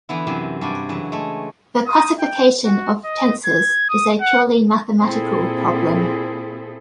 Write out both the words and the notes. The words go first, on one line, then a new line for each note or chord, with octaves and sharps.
The classification of tensors is a purely mathematical problem.
D3 E3 B3 E4
F#2 C3 E3 C4
G2 F#4 D5 G#5
F#2 C#3 E3
G#3 A3
D#6
G5
F#4
D#5
G#6
D#6
F#5
A#2 C4 E4 G#4 A4